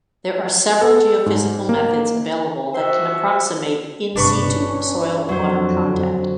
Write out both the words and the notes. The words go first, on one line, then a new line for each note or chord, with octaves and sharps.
There are several geophysical methods available that can approximate "in situ" soil water content.
A4
G#2
A#3
F#4 C5 E5 G5
G1 C3 D4 B4 C#6
C#4
F2 D3 F#3 C5